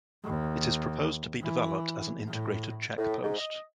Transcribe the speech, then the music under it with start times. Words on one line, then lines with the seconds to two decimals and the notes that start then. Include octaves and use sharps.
It is proposed to be developed as an Integrated Check Post.
0.24 D#2
1.41 E3
2.27 A2
2.98 A2
3.23 G#2
3.38 D#5